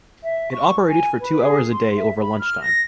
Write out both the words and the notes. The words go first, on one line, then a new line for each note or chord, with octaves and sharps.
It operated for two hours a day over lunchtime.
E5
C#6
G#5
B4
G#4
C6
E5
B5
F6
A#6